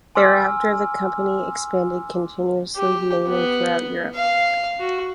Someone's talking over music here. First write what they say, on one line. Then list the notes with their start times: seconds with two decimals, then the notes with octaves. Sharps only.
Thereafter, the company expanded continuously and mainly throughout Europe.
0.15 G#5 C6 D6 E6 F6
2.77 G4
3.29 B3
4.15 F5
4.80 F#4